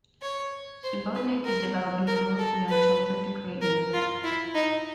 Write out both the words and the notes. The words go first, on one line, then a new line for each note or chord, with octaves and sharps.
Subotnick is developing tools for young children to create music.
C#5
C5
B4
A#4
A#4
A4
B4
A#4
F4
E4
D#4